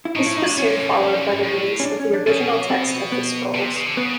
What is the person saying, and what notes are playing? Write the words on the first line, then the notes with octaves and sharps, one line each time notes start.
This was soon followed by the release of the original text of the scrolls.
E4
A2 D#4
E4
D#4
D4
A2 C#4
A#2
B2
B2
G#2
A2
C#4
D4
C#4
D4
B2 C#4
C4
B3
C3
C#3
D3
C#3 B3